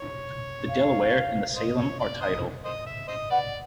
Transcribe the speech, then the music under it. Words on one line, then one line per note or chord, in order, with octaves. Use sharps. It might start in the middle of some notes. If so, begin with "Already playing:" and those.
The Delaware and the Salem are tidal.
Already playing: C#5
F5
C5 D#5
C#5
D5
C5 D#5
C5 D#5
E5
C5 D#5
B4 D5 F#5